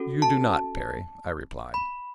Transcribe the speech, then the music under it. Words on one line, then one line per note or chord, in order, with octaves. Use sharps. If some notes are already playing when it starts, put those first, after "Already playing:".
"You do not, Perry," I replied.
Already playing: C#4 F#4 A4
A5
B5